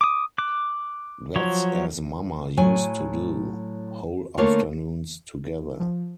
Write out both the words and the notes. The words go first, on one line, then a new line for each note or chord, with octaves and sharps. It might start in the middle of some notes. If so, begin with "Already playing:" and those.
That’s as mamma used to do, whole afternoons together.
D6 D#6
D6 F#6
F3 F#3 C#5
A2 F#3 G#5
D3 A3 A#3 D4 C#5
F3